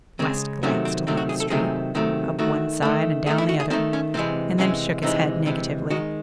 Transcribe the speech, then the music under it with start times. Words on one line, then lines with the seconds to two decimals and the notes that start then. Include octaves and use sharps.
West glanced along the street--up one side and down the other--and then shook his head negatively.
0.19 C#3 G#3 C4
0.63 C3 D#3 F#3 A3 C#4
0.85 C4
1.07 C3 D#3 F#3 A3 C4
1.17 F#4
1.29 G#4
1.40 A4
1.50 C3 D#3 F#3 A3 G#4
1.95 C3 D#3 F#3 A3
2.39 D#3 A3 F#4
2.82 D#3 A3
3.26 D#3 A3 G#4
3.38 E4
3.49 F#4
3.60 G#4
3.70 D#3 A3 C4
3.93 C#4
4.14 C3 E3 G#3 C4
4.58 C3 E3 G#3 C#4
5.03 C3 E3 G#3 D#4
5.46 C3 E3 G#3
5.90 D#3 G#3 F#4